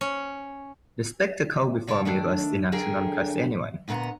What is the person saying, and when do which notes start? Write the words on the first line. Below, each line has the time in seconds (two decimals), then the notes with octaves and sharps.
The spectacle before me was enough to nonplus anyone.
0.01 C#4
1.87 C3 C#5 D5 F5 A5
2.05 D#3 A3 D4
2.72 D3 G#4 A#4 G5
3.88 D2 A#2 B3 F#5 A#5